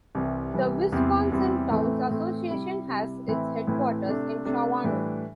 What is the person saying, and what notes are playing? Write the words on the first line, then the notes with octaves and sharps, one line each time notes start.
The Wisconsin Towns Association has its headquarters in Shawano.
C2 C3 E3 G3
C2 C3 E3 G3
E2 C3 G3 C4 E4
E2 C3 G3 C4 E4
A2 E3 A3 C4
A2 E3 A3 C4
C3 G3 E4
C3 G3 E4
A2 E3 C4 E4
A2 E3 C4 E4
C3 A3 D4
C3 A3 D4
A2 E3 G3 D4